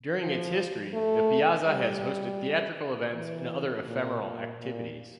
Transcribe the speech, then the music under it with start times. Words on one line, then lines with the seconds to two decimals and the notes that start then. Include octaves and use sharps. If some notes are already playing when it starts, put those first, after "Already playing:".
During its history, the piazza has hosted theatrical events and other ephemeral activities.
0.20 F3
0.93 A3
1.67 G3
3.14 E3
3.88 A#2
4.24 A#2
4.60 A#2